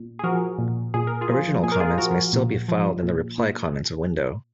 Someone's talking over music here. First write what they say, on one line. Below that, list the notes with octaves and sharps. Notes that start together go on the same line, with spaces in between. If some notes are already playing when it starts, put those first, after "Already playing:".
Original comments may still be filed in the reply comments window.
Already playing: A#2
G#4
F3 F#4 A#4
A#2
A#2 G#4
A#4
F4 G#4
F3
A#2 G#4
A#4
F4 G#4
F3 F#4 A#4
A#2
F3
A#2
A#2